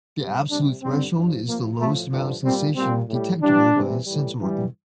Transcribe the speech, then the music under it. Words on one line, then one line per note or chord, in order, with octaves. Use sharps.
The absolute threshold is the lowest amount of sensation detectable by a sense organ.
C3 G3
C3 G3 D4
G2 D3 G3 C4
G2 F3
C3 F3 A#3
A2 F3 A3
G2 D3 F3
A#2 G3 C4
A#2 G3 C4
A2 G3
G2 E3 G3 D4
C3 E3 G3
A2 E3 G3
G2 E3 G3